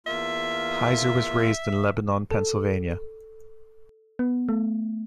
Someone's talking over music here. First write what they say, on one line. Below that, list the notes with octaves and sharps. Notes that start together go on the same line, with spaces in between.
Heiser was raised in Lebanon, Pennsylvania.
E2 A#3 F4 E5
A4
B3
A3